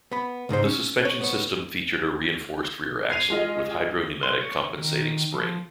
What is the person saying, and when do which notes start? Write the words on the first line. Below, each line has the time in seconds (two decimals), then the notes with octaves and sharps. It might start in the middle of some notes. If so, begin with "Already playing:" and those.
The suspension system featured a reinforced rear axle with hydro-pneumatic compensating spring.
0.12 B3 B5
0.49 C#2 G#2 D#4 C5
0.65 C#4
1.05 C#5
1.21 B3 C#5
3.10 G#6 C7 D#7 F7
3.30 G#3 F4 D#5
4.23 C6
4.41 C#5
4.70 D#3
5.34 F3